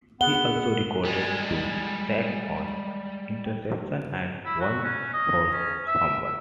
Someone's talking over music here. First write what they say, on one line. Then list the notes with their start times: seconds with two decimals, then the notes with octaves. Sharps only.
He also recorded two sacks, one interception and one forced fumble.
0.21 B3 G#4 F#5 G7
1.05 G3 G#3
4.45 E4
4.61 F#4
4.84 C#4
5.13 D#5
5.52 C#4
5.87 E5